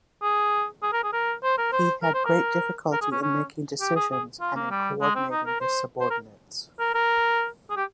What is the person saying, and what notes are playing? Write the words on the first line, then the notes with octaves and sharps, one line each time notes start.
He had great difficulty in making decisions, and in coordinating his subordinates.
G#4
G#4
A#4
G#4
A#4
C5
A#4
C5
A#4
C5
A#4
A#4
G#4
C#4
C#4
G4
G#4
G#4
F4
A#3
G3
G#3
C4
D#4
A#4
C5
C5
A#4
A#4
A#4
G#4
G4